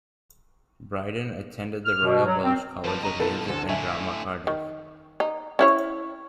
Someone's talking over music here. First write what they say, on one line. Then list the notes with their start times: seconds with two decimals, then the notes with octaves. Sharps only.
Brydon attended the Royal Welsh College of Music and Drama, Cardiff.
1.85 F6
2.04 B2
2.25 F#3
2.44 C4
2.84 F3 G3 B4 A5
3.03 C#4 D#5 A#5
3.19 B2 F3 E4 A4 B4
3.48 D2 D3 A4 C5
3.69 A2 D3 E5 G#5
4.47 D#3
5.20 D#4
5.59 C#4 E4 C#5